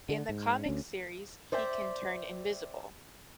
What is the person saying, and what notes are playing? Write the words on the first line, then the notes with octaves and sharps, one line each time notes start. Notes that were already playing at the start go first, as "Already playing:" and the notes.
In the comics series he can turn invisible.
D3
G#2
D2 C#4
C5 D5 E5 G5